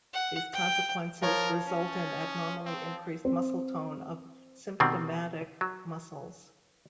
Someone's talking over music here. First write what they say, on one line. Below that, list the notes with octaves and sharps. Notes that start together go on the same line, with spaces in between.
These consequences result in abnormally increased muscle tone of symptomatic muscles.
F#5
G5
F3 A#4 C#5
C#4
C4
C4
B2 D#3 G3 C4
F#3